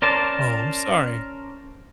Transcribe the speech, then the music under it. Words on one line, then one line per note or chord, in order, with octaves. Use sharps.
Oh, I'm sorry.
C#4 A#4 C5 D5 A5